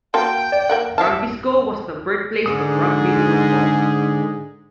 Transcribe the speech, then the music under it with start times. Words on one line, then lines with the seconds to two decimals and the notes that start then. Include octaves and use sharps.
Rugby School was the birthplace of Rugby football.
0.14 A#3 F#4 A#4 G5 A5 C6
0.52 D5
0.69 A#3 A#4 F#5
0.98 E4 E5 F5 A5 F6 C7
2.46 G#2 D3 G#4 A4 D#6